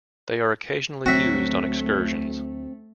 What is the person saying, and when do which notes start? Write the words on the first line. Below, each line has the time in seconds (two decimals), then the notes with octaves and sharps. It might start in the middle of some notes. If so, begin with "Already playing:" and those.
They are occasionally used on excursions.
1.06 D2 F#3 A3 C4 F#4 E5